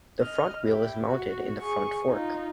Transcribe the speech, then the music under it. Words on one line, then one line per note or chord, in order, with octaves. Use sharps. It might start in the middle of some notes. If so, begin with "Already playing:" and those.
The front wheel is mounted in the front fork.
D#5 F6
E4 G4
F#4
G#4 C#6
D#4 F4